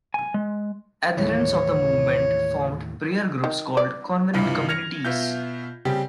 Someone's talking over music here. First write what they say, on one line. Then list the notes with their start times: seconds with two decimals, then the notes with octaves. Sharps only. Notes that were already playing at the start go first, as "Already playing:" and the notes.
Adherents of the movement formed prayer groups called covenant communities.
0.14 G#5
0.34 G#3
1.17 D#2 A2 E3 C#5
3.44 D#3
3.77 D5
4.34 C#2 G2 C3 E3 F4
4.69 F6 G#6 A#6 C#7 F7
5.05 B2 F4 E5 G6
5.85 C#3 G3 C4 G4